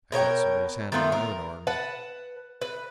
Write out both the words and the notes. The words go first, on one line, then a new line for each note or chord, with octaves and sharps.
I felt somebody's hand on my own arm.
B2 A#4 C#5 G5
D#3 A3 B3 F4
A#4
B4 F#5 A5
B4